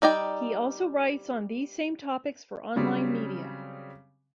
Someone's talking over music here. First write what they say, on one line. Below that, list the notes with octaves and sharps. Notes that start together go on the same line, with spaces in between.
He also writes on these same topics for online media.
G3 D#4 D5 G5
C#3 F#3 G3 C4